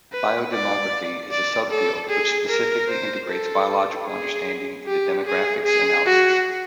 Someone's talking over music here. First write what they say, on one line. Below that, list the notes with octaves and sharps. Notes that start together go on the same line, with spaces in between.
Biodemography is a subfield which specifically integrates biological understanding into demographics analysis.
B4
D5
D5
A4
G#4
A#4
C5
A4
G#4
G4
G#4
G#4
F#4